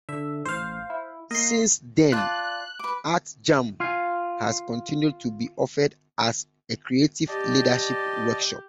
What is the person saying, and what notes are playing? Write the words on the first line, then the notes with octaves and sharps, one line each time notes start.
Since then, "Art Jam" has continued to be offered as a creative leadership workshop.
D3 E5
A1 C5 F5
E4
A#3 D#5 C6
F4 D5 A5 F#6
B4 D6
F4 F5 G#5
G4 D5 D#5 A5